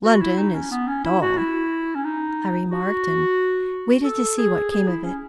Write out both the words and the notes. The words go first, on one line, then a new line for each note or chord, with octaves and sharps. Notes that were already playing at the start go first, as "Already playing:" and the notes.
"London is dull," I remarked, and waited to see what came of it.
F#4
E4
D#4
C#4
B3
C#4
E4
F#4
E4
C#4
D#4
F#4
A4
G#4
G#4
E4
C#4